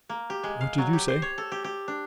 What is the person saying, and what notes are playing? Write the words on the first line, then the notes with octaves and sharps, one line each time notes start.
"What did you say?"
A#3
G4
G#3
F5
F#3
G4
C5
C#5
A4
G4
G4
D4